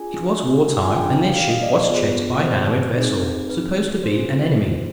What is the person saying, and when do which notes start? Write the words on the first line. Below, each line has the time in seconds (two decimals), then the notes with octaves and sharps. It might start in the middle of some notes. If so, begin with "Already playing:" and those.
It was war time, and their ship was chased by an armed vessel, supposed to be an enemy.
Already playing: D4 F4 G#4 G#5
0.82 D4 F4 G#4 G#5
0.95 G5
1.09 G5
1.21 F5
1.35 F5
1.49 D#5
1.63 D5
1.75 C5
1.89 B3 F4 G#4
2.43 C5
2.96 C4 D#4 G#4
3.49 B4
4.04 D4 F4 G#4 C5